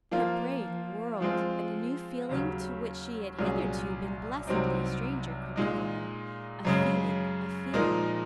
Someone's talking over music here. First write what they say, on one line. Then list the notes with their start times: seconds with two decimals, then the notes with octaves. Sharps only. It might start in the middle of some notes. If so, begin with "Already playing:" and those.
Her brain whirled, and a new feeling to which she had hitherto been blessedly a stranger crept over her, a feeling of fear.
0.12 F3 A#3 F4
1.21 F3 G#3 C4 F4
2.29 D#2 C#3 F#3
3.39 C2 A#2 F#3 C#4 G#4
4.47 C2 C3 F#3 C4 D#4
5.56 A#2 G#3 D#4
6.65 F#2 C#3 G#3
7.73 A#2 F3 G#3 D#4 A#4